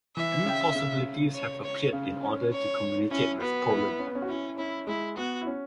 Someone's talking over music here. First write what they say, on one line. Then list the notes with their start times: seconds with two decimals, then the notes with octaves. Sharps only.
New possibilities have appeared in order to communicate with Poland.
0.16 E3 E5
0.45 C#3
0.75 C#3
1.34 C#5
1.64 C#5
1.93 C#3
2.22 C#4
2.52 C#5
3.11 C#4 E4
3.40 B3 F#4
3.70 E4
3.99 C#4
4.07 B3
4.15 C#4
4.22 F#4
4.29 C#4 E4
4.58 C#4 E4
4.87 G#3 E4
5.17 B3 F#4
5.41 E4
5.47 C#4